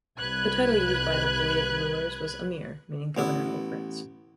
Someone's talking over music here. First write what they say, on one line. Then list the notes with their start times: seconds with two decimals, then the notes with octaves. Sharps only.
The title used by the Buyid rulers was "amir", meaning "governor" or "prince".
0.18 C2 B4 F#6 G#6
3.17 A1 B3 E4